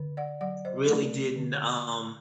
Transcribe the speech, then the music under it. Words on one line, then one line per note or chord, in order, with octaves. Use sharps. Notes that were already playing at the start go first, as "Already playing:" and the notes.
really didn't, um,
Already playing: D3
D5 F#5
F#3 D5 F#5
C5 D#5
A3 A#4 D5
D3